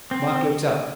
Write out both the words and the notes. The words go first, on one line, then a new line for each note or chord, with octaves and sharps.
Mike looked up.
C4